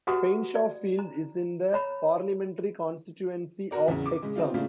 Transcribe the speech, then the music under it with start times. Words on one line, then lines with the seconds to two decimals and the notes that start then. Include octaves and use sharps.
Painshawfield is in the parliamentary constituency of Hexham.
0.07 F#4 G4 B4 F#5 A#5 D#6
0.55 D5
0.99 A#5
1.73 C#5 A#5 B5
3.71 F#4 A#4 D5
3.88 E2 C#3
4.06 D6
4.22 C#3 G#3
4.35 C4 D#4 F4
4.54 C#3 A3 A#3 D4 F4